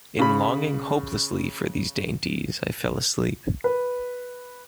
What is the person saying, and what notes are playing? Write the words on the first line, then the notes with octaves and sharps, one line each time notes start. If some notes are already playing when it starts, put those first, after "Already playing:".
In longing hopelessly for these dainties I fell asleep.
C#3 B5
B4